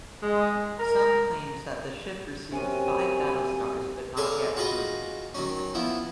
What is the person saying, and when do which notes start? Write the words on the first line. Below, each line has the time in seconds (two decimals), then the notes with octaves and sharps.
Some claims that the ship received five battle stars but not yet proved.
0.23 G#3
0.79 A#4
2.52 F#2 C3 G#5
4.17 G#4 A4 B4 C#5 D5 F5
4.57 F4 F#4 G#4 B4 D#5
5.35 D#3 F#3 C#4
5.74 F3 B3 E4